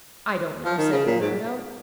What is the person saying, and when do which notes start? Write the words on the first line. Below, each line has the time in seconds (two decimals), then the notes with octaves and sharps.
"I don't know," said Bernardo.
0.65 F3
0.78 D#3
0.92 C#3
1.06 A#2
1.20 G#2